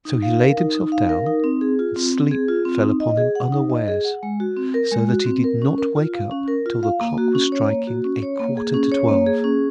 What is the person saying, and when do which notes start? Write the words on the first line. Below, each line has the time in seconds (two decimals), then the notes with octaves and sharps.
So he laid himself down, and sleep fell upon him unawares, so that he did not wake up till the clock was striking a quarter to twelve.
0.05 D#4
0.22 F5
0.39 A#4
0.57 D#4
0.75 D#4
0.92 F5
1.09 A#4
1.26 D#4
1.44 C4
1.61 G#4
1.79 F4
1.96 C4
2.14 C4
2.31 G#4
2.48 F4
2.65 C4
2.83 D#4
3.00 D#5
3.17 G#4
3.35 F#5
3.52 D#4
3.70 D#5
3.88 G#4
4.04 F#5
4.23 G#3
4.40 F#4
4.57 C4
4.74 A#4
4.92 G#3
5.09 F#4
5.26 C4
5.44 A#4
5.62 C#4
5.78 A#4
5.96 F4
6.14 F5
6.31 C#4
6.48 A#4
6.66 F4
6.83 F5
7.01 A#3
7.18 F#4
7.35 C#4
7.52 C#5
7.70 A#3
7.87 F#4
8.04 C#4
8.22 C#5
8.40 A#3
8.57 G#4
8.74 C#4
8.92 C#5
9.09 A#3
9.26 G#4
9.44 C#4